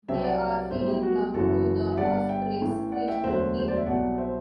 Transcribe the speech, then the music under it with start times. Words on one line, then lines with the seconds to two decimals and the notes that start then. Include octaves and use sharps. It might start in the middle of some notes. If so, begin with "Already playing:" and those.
They are feeder club to the Ospreys regional team.
0.08 C2 C3 F#3 E5 G5
0.24 D5 F#5
0.71 B1 A2 G3 C5 E5
0.87 G4
1.03 F#4
1.19 G4
1.34 F#1 F#2 E3 F#4 A4
1.92 E5
1.97 G1 G2 D3 G3 D5 F#5
2.29 E5 G5
2.61 A1 A2 E3
2.92 D5 F#5
3.08 E5 G5
3.23 E1 D2 D3 F#3 C5 E5
3.59 C5
3.68 D5
3.77 E5
3.86 C2 B2 F#3 D5 F#5
4.18 C5 E5